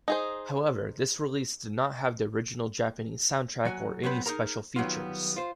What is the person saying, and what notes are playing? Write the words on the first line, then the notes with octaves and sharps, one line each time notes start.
However, this release did not have the original Japanese soundtrack or any special features.
D#4 G#4 C5
F#3 F#4 G#5
F#3 B3 C4 B4
D#4 G#4 A#4 A#5
D#3 F#3 G3 B3 F4
F4 C5